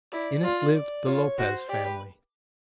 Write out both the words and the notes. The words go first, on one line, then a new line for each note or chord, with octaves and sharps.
In it lived the Lopez family.
E4 D5
F4
D5
F4 C#5
F#4 C5
G4 D5
B4